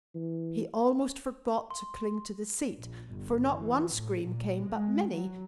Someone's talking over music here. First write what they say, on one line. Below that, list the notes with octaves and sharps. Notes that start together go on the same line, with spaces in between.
He almost forgot to cling to the seat. For not one scream came but many.
E3
C6
A#1
G1
E3
A2
A#2
G#3
F#3